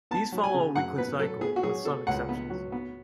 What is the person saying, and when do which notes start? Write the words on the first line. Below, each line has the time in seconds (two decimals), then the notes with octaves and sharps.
These follow a weekly cycle, with some exceptions.
0.11 B3 A5
0.32 F#3
0.44 G#5
0.54 C#3
0.76 F#2 F#5
0.98 B3 B4
1.19 F#3 A4
1.41 B3 G#4
1.56 F#4
1.63 F#3 G#4
1.85 B2 A4
2.07 C#2 F#5
2.29 B3
2.50 F#3
2.72 B3